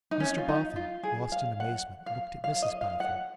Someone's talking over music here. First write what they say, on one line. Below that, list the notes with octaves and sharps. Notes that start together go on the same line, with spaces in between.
Mr Boffin, lost in amazement, looked at Mrs Boffin.
D#4
C#4
F4
D#4
F4
G#4
F5
F#5
F5
F5
D#5
F5
F#5